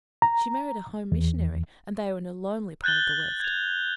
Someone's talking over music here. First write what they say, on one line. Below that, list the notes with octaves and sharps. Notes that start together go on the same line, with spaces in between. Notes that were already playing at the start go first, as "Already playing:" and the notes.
She married a home missionary, and they are in a lonely part of the west.
A#5
E2
F#6 G6 A6 F#7 G7
G#6 F7